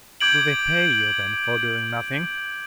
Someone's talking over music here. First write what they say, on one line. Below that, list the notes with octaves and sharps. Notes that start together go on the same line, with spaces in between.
"Do they pay you, then, for doing nothing?"
D6 G6 G#6 D7 F#7